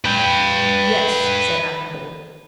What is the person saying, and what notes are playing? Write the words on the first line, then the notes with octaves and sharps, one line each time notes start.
"Yes," said Adam boldly.
B4 G5